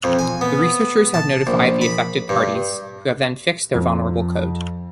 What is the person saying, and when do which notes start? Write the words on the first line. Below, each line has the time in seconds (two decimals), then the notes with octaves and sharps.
The researchers have notified the affected parties, who have then fixed their vulnerable code.
0.04 F2
0.19 G#5
0.41 B3
1.14 A5
1.47 A#1
1.81 B5
2.29 G2
3.75 F2